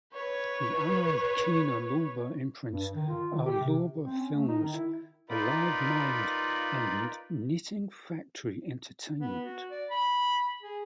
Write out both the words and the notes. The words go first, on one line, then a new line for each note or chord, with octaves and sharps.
The other Kino Lorber imprints are Lorber Films, Alive Mind, and Knitting Factory Entertainment.
B4 C#5
G2
D#3
F4
D#3
G4
C3
C4
C#4
A3
D#4
D#3
E4
D#4 F4 A#4 B4 D5 B5
B3
F#4
D5
B5
G#4